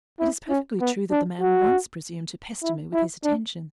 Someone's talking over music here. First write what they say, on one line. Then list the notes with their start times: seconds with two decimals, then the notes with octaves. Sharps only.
It is perfectly true that the man once presumed to pester me with his attentions.
0.20 E4
0.49 C#4
0.81 B3
1.11 D4
1.41 F#4
2.63 E4
2.93 E4
3.24 D4